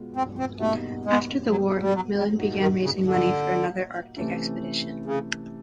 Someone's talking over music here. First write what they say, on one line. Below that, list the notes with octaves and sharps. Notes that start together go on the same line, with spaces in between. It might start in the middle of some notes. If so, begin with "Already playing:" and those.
After the war, MacMillan began raising money for another Arctic expedition.
Already playing: B2 G#3 B3 F4
C4
C4
B2 G3 A3 A#3 D#4 F#4
G#3
F#3
G3
F#3
G3
A#2 G3 A#3 D#4 F#4
D#3
C#3
D3
C3 E3 A3 C#4 E4
C#3